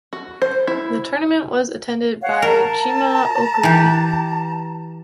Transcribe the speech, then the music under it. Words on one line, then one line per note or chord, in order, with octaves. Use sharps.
The tournament was attended by Chima Okorie.
F#4
C5
E4
C#5 F5 F#5
A#4 A5 A#5
E3 G4